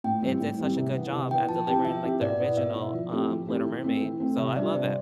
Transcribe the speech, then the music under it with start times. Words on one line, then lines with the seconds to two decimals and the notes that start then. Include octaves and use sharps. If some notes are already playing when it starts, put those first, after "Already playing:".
it did such a good job at delivering like the original, um, Little Mermaid, so I love that.
0.04 A2 G5
0.22 E3 G3 C4
0.40 A2
0.59 E3 G3 C4
0.76 C3
0.95 E3 B3
1.13 C3
1.31 E3 G5
1.34 B3
1.49 F3 A5
1.67 C4 E4 G4 G5
1.85 F3 E5
2.03 C4 E4 G4
2.21 B2 D5
2.39 B3 E4
2.57 B2 E5
2.75 B3 E4
2.93 F3
3.12 A3 C4 E4 G4
3.30 F3
3.48 A3 C4 E4 G4
3.66 E3
3.84 A3 C4
4.02 E3
4.20 A3 C4
4.38 C3 E5
4.56 G3 D4 F4 D5
4.74 C3 C5